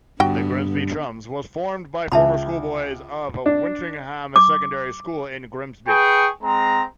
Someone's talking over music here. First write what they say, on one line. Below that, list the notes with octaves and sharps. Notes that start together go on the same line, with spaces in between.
The "Grimsby Chums" was formed by former schoolboys of Wintringham Secondary School in Grimsby.
G2 D3 B3 F#4 G5
C#2 E5 A5 B5
D4
D6
G#4 B4 G5 C#6
G#3 C4 A#5